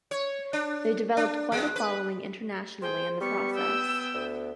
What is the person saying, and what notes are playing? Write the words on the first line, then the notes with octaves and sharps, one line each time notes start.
They developed quite a following internationally in the process.
C#5
D4
D4
F#2 G#3
B4
G#4 C5 G5
G3 B3 C#6
G5 E6
D2